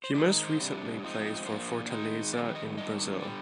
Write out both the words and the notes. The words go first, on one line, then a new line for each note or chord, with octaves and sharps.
He most recently plays for Fortaleza in Brazil.
C5
D#3 G#3 D#4 D5
C5
C3 G3 D4
G#2 F3 C4 D#4
A#2 F3 A#3 D4 C5
D#3 G#3 D#4
F2 D#3 G3 D5
D#5
D#3 G3 D4 D#5
D3 G3 D5